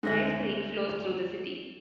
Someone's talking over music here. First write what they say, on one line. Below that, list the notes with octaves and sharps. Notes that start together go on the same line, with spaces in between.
Rice Creek flows through the city.
D2 G#2 A4 D#5 E5